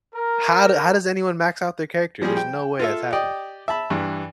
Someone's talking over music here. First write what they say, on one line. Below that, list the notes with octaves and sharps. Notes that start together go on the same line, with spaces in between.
How do how does anyone max out their character? There's no way that's happening.
A#4
F3 G3 C4 G#4
G5
F4 A4 E5
G4 D5 D#5 G5
E5 A5 B5
G2 E3